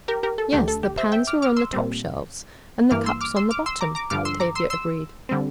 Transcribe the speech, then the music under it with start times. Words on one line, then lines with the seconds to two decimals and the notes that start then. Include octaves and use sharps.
"Yes, the pans were on the top shelves and the cups on the bottom," Tavia agreed.
0.08 G4 A#4
0.23 G4 A#4
0.38 A4
0.52 D2 D3 A3 G4
0.68 A4
0.83 G4
0.98 C5 E5
1.12 E5 G5
1.27 D6 F6
1.42 D6 F6
1.57 C6 E6
1.73 A#2 G3 C4
2.91 G2 E3 A#3 D6 F6
3.06 C6 E6
3.21 D6 F6
3.36 C6 E6
3.50 D6 F6
3.66 C6 E6
3.81 A#5 D6
3.95 A#5 D6
4.10 G2 D3 F3 D6 F6
4.25 C6 E6
4.40 A#5 D6
4.55 C6 E6
4.70 C6 E6
5.29 D3 G3 C4